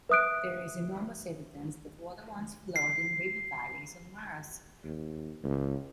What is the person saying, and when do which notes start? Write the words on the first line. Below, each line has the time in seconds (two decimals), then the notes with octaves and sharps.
There is enormous evidence that water once flowed in river valleys on Mars.
0.09 B4 E5 D#6 F#6 D7
2.76 C7
4.84 D#2
5.44 C#2